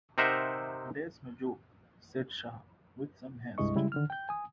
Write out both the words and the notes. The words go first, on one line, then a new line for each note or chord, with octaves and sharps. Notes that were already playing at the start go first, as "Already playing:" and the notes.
"There's no joke," said Shah, with some haste.
C3 D#4 A#4 C5 E5 F#5
C2 G2 G#3 E4 D#5 C#6
C#3 G3 G#3 E4
D3 D#3 F6
G5 G6
G#5 D#6